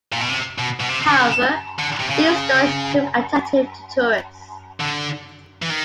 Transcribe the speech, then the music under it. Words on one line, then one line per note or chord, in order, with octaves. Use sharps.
However, these stories proved attractive to tourists.
A#2
B2
C3
B2
B2
C3
D3
C#3
D3
C3
C#3
D3
E3
D#3